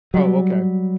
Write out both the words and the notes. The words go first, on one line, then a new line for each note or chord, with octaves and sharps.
Oh, okay.
F#3 G3